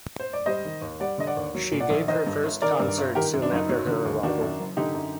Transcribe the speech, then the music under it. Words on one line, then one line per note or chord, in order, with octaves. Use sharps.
She gave her first concert soon after her arrival.
C5
D5
G3 C5 D#5
D#3
D#2
G3 D5 F#5
D3 D#5
D5 F#5
D#2
F#3
A#2
D5 F#5
A#1
D#3 C5 D#5
G2
G1
D#3 A#4 D5
G2
G1
D#3 G4 A#4
F#2
D4
F#1 D#4
F#3
D3
D#2
D#3 D4 F#4
F#2
F#1
D3 D#4 G4
F#2